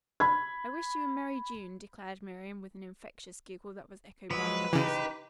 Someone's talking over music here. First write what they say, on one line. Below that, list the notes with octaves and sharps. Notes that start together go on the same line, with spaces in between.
"I wish you a merry June," declared Miriam with an infectious giggle that was echoed by the others.
B5 G#6
F3 F#3 G#3 B4
C#3 E3 D#4 G4